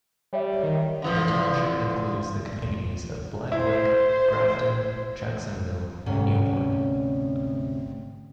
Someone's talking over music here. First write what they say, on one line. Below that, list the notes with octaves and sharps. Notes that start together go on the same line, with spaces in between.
The township includes the communities of Black Lick, Grafton, Jacksonville, and Newport.
G3 C#5 E5
D#3
D3 E3 F3
E4 C5
D2 G#2 C3 C#4